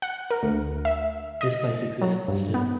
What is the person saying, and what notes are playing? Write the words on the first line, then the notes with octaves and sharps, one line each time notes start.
This place exists still.
F#5
A#4
D2
E5
D#5
F#3
G2
B3